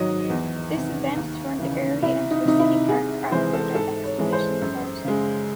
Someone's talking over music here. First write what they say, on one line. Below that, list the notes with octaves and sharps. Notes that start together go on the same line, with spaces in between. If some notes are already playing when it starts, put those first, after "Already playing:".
This event turned the area into a City park after the exposition closed.
Already playing: G#2 D#3 F#3 D#5
E2
C3 D#3
D#2
C#3 E3
C2 E4
D#4
C3 D#3 D#4
E4
C2 G#4
C3 E3 G#3 C5
A4
G#2 A4
C#5
E3 G#3
C5
F#2
C#3 G#3